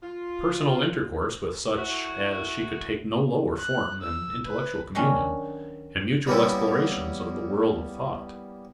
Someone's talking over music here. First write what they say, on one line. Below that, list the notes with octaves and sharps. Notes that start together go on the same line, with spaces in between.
Personal intercourse with such as she could take no lower form than intellectual communion, and mutual explorations of the world of thought.
F4
A3 E4 F#4
F#6
E6
B4
D#3 F#3 C#4 D4
G3 A#3 B3 C#4 E4